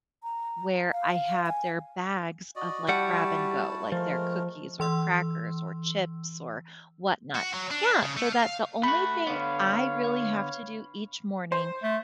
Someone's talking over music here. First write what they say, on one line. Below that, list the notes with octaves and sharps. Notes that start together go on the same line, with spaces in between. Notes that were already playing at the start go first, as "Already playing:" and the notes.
where I have their bags of, like, grab and go, like their cookies, or crackers, or chips, or whatnot. Yeah, so that the only thing I really have to do each morning
A#5
F5
G#5
F#4 D5 D#5
G3 E4 F#4 F#5 A5
F3 G#3 A3 A#4
E3 C6 E6
F#4
F#3
D4
C#3
A3
F5
A3 F#4 B5
D3 B3 C#5 F5
C5
A3